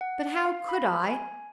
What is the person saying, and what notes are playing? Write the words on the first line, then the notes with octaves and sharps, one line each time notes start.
But how could I?
F#5
F5
B5
G#5